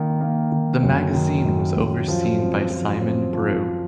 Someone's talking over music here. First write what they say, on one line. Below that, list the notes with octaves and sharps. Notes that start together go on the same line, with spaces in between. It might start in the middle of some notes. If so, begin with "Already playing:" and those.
The magazine was overseen by Simon Brew.
Already playing: D#3 A#3
A#3
D#3
F#2
D#3
F#2
F#2
F3
C4
F3
C4
F3